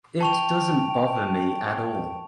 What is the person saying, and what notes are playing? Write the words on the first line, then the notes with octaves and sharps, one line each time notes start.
It doesn’t bother me at all.
G5 A5 C#6 F7